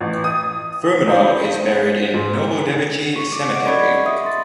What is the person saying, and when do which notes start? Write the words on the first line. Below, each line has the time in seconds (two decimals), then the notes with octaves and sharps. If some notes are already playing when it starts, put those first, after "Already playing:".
Furmanov is buried in Novodevichy Cemetery.
0.01 A1
0.24 D#6
1.08 C5
2.14 G#2
3.16 C#6
3.32 D6
3.50 D#5 F#5 D7
3.65 D5 D#5 B5 C#6 G#6
4.05 E5 D#6
4.24 C6 A6